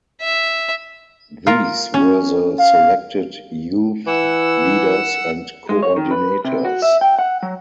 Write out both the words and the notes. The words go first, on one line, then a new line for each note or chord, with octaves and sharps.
These were the selected youth leaders and coordinators.
E5
F4 A#4
C#4
F5
E3 F#5 E6
G#3
C#5
D#3
B4
C3
F#4
E5
G5
F#5
F#3